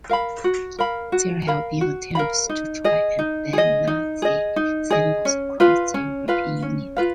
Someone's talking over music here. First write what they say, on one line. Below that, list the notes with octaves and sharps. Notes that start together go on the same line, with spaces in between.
There have been attempts to try and ban Nazi symbols across the European Union.
A#4 F5 B5
F#4
A#4 F5 B5
F#4
A#4 F5 B5
F#4
A#4 F5 B5
D#4
G#4 D#5
D#4
G#4 D#5
D#4
G#4 D#5
D#4
G#4 D#5
C#4
F4 B4 F5
C#4
F4 B4 F5
C#4
F4 B4 F5